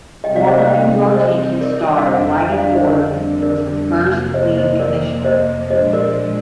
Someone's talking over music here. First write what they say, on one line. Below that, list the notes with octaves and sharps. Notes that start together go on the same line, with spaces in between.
Former New York Yankees star Whitey Ford was the first league commissioner.
C3 G3 C4 D#4 D#5 G5
D5 F5
C5 D#5
D5 F5
D#5 G5
C5 D#5
A#4 D5
F5
F2 D3 G3 D4 C5 D#5
D5 F5
D5 F5
C5 D#5
A#4 D5
A#4 D5
F2 C3 F3 A#3
C5 D#5
C5 D#5
A#4 D5
C5 D#5
A#2 F3 G#3 D4 C5 D#5
A#4 D5